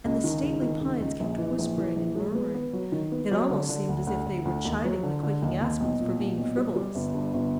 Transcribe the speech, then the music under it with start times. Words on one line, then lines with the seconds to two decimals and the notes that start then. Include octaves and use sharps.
And the stately pines kept whispering and murmuring; it almost seemed as if they were chiding the quaking aspens for being frivolous.
0.05 C#2
0.24 D#3
0.43 C#2
0.62 D#3
0.81 C#2
1.00 C#2
1.20 A#1
1.38 E3
1.59 A#1
1.77 E3
1.96 A#1
2.16 G#3
2.35 B3
2.54 B3
2.73 F#3
2.92 D#3
3.12 B3
3.31 F#3
3.50 D3
3.69 D3
3.89 D2
4.07 D2
4.27 D2
4.45 D2
4.65 D#2
4.84 F#3
5.03 D3
5.23 D3
5.42 D#2
5.61 D#2
5.80 B1
6.00 A#2
6.19 A#2
6.38 B1
6.57 G3
6.76 G3
6.95 G1
7.14 G2
7.34 G1